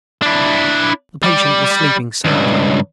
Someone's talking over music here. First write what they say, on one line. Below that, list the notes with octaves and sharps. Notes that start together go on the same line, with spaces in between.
The patient was sleeping soundly.
D4 E4
G3 D5
C#2 G2